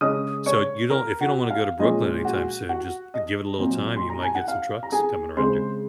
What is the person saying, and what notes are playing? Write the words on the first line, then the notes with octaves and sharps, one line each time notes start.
So you don't if you don't wanna go to Brooklyn anytime soon, just give it a little time. You might get some trucks coming around you.
C#3 G#3 C#4 D#5 D#6
C#5 C#6
A#4 A#5
F#4 F#5
F5
A#2 F3 G#3 C#4 D#5
F#4 F#5
F#4 F#5
D#5
A#2 F#3 C4
C6
A#5
G#5
F#5
F5
A#5
G#4 G#5
C#3 G#3 C4 C5 C6